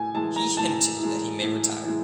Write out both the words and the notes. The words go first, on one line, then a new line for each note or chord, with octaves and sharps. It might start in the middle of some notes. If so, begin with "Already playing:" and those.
He hinted that he may retire.
Already playing: A2 G#5
E3 G#3 A5
A#5
A2 A5
E3 G#3
A2
E3 G#3